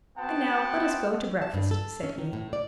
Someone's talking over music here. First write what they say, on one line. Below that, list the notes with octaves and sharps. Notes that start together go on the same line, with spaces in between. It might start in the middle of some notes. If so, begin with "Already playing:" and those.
"And now let us go to breakfast," said he.
B3 C4 F#4 F#5 G5 A5
A5
G2
A4
C#4
D#3
A2
D5